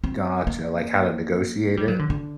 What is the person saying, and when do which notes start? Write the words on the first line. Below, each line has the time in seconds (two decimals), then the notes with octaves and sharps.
Gotcha. Like how to negotiate it?
0.04 C4
0.47 A#3
1.77 G3
1.88 F#3
1.99 D3
2.10 D3